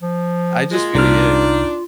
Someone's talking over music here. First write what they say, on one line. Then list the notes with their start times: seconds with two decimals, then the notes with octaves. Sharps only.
I just feel yeah.
0.02 F3
0.71 A#2 G#3 F4
0.95 C2 D4 D#4 F6